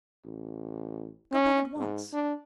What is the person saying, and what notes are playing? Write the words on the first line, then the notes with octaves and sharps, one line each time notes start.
Go back at once!
A1
C#4
G#2
D4